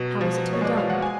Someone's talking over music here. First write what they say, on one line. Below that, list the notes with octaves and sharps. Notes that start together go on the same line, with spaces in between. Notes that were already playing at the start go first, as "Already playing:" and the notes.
How was it to be done?
Already playing: B2 F#3
F3
C#5
G#3 D5
F5
F#5
G#5